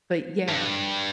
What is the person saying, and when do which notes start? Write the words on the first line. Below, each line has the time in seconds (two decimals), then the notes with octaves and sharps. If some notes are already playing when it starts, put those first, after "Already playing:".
but yeah,
0.48 G2